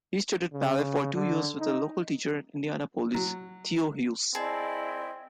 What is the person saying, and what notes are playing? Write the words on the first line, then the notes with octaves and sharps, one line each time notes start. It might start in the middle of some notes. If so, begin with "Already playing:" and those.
He studied ballet for two years with a local teacher in Indianapolis, Theo Hewes.
C#3
D3
D#4
F#3
C4 E4 G#4 D5 D#5 A5